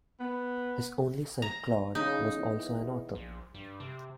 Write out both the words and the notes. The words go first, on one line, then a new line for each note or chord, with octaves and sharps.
His only son Claude was also an author.
B3
A#5
C#3 D#4
E2
A#1
G2
C3